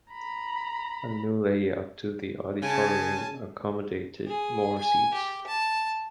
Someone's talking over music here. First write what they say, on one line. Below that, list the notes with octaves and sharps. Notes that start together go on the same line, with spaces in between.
A new layout to the auditorium accommodated more seats.
A#5 B5
C#3 G#5 A5
G#4
G#5
G4
A5